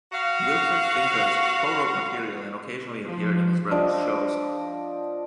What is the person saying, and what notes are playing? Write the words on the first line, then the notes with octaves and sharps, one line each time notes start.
Wilfried Finkers co-wrote material and occasionally appeared in his brother's shows.
F#4 F5
F3
F3 D4 D5 D#5